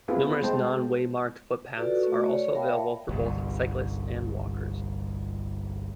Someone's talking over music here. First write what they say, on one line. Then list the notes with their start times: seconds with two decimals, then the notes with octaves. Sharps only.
Numerous non-waymarked footpaths are also available for both cyclists and walkers.
0.08 B3 C4 E4 F4 G#4 B4
0.43 G#3 C5 D#5 G5 A5
1.76 F4 F#4 A4 B4 D5
2.03 A3 F#4 C#6
2.21 C#5 D5
2.55 A#4 E5 F5 G5 A5 B5
3.09 G1 C2